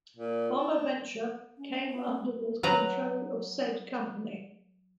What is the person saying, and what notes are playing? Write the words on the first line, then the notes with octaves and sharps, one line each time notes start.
Bonaventure came under the control of said company.
A#2
D4
C#4
B3
F#3 B4 A#5